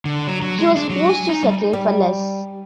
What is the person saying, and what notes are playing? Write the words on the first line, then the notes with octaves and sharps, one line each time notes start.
He was forced to settle for less.
D3
F#3
F#3
G#3
D4
F#3
G#5
D#4
G3
G3